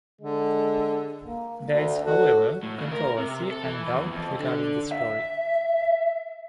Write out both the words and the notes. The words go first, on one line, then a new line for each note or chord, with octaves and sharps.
There is however, controversy and doubt regarding this story.
D3 G#3
A#3
D2 D4
F#4 A4
A2
C#3
A#4
C3
A4
E3
E2
F2
D3
E5